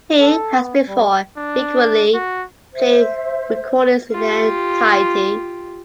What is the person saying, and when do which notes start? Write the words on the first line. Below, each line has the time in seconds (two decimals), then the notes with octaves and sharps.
He, as before, frequently played recordings in their entirety.
0.21 A4
0.55 B3
0.87 G3
1.37 D4
2.14 F#4
2.74 C5 E5
4.12 F4 G4